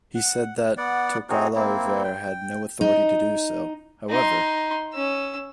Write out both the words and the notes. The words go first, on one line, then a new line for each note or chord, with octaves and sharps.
He said that Tokalauvere had no authority to do so, however.
F#5
B3 D5 F#5
C4 D#4 F#4 G#4
A#3 C4 E4
G5
D#4
D#4 C6
C#4 E6